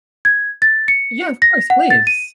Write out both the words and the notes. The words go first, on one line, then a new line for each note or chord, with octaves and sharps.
Yeah, of course, please.
G#6
A6
C#7
A#6
F#5
A6
D#7